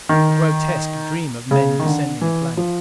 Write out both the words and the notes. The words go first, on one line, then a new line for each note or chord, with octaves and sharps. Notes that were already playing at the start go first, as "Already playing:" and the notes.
A grotesque dream of men descending a plank.
D#3
C#3
D#3
D3
E3
F3